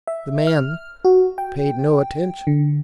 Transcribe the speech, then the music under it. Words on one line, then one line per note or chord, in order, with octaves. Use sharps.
The man paid no attention.
E5
F6
F#4
G5
D3